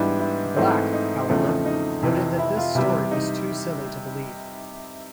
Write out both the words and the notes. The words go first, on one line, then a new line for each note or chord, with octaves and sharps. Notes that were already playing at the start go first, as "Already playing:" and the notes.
Black, however, noted that this story was too silly to believe.
Already playing: G#2 E3 G3 B3 D4 E4
E4
G#2 E3 A3 C4
D#4
E2 C#3 F3 A3 C4
D#4
F2 C3 E3
E4
F4
C3 E3 G3 E4
D#4